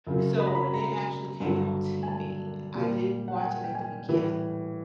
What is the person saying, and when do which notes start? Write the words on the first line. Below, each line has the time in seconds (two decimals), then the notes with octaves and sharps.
So, when it actually came on TV, I didn't watch it at the beginning,
0.07 F#2 C#3 F#3
0.40 B5
0.47 A#5
0.55 B5
0.74 A#5
1.40 G2 D3 F#3
2.03 G#5
2.08 A5
2.75 A#2 G3
3.28 F#5
3.35 G5
3.42 G#5
3.64 G5
3.75 G#5
4.09 A2 E3 G3